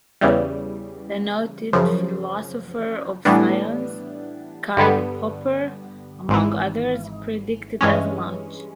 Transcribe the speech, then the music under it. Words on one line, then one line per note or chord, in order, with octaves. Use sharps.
The noted philosopher of science, Karl Popper, among others, predicted as much.
E2 C#3 E3 G3
F#2 C#3 F3
A2 E3 G3 B3 D4
G2 D3 G3 B3
G#1 G#2 E3
G2 E3 G#3 C#4